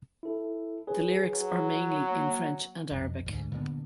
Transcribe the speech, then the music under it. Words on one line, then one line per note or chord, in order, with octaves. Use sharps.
The lyrics are mainly in French and Arabic.
E4 A4
G#4 B4 C#5
F#3
A#3
B1 F2
D2 G#2
A#2 D3 B3